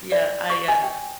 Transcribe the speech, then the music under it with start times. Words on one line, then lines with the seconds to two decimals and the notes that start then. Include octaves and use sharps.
Yeah. I, uh,
0.12 D5
0.50 C#6
0.68 G#5
0.84 G5